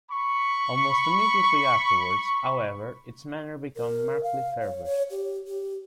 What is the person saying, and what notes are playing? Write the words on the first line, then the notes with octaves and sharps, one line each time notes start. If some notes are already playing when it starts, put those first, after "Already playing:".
Almost immediately afterwards, however, its manner became markedly feverish.
B5 C#6
A#4
F5
C#5
C#5
G4
G4